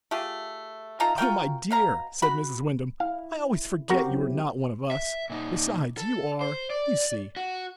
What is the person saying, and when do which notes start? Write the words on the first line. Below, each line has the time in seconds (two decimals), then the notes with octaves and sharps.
"Oh my dear," said Mrs. Wyndham, "I always forget you are not one of us. Besides, you are, you see."
0.11 A3 F4 G4 G#4
1.00 D#4 F4 A4 A#5
1.18 F4 F#4 A#4 G5
1.71 B2 F5 A#5
2.22 F#4 B5
3.00 E4 F5
3.90 C4 F#4 G4 A#4
4.10 F#3 E4
4.92 E5
5.30 A#2 D#4
5.98 A4
6.41 C5
6.70 D5
7.37 F#4